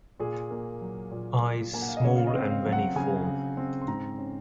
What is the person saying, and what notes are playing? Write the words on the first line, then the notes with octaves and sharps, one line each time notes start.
Eyes small and reniform.
A#2 G#4
A#3
F#3
A#2
A#2
A#3 G#5
F#5
F5
D#5
C#3 C#5
F5
D#5
C4
F5
F#3
F#5
C#3 G#5
C#3
C4
C6
G#2 A#5
C#4